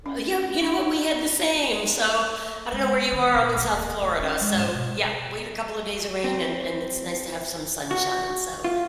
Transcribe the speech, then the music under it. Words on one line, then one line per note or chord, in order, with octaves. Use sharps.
W y you know what? We had the same. So I don't know where you are, I'm in South Florida. So, yeah, we had a couple of days of rain, and and it's nice to have some sunshine. So
C#4
D4
D#4
G#3
D#3
A#2
B1
D1
A3
C#4
G#3
G#2
B2
C#3
C4
F#4
F4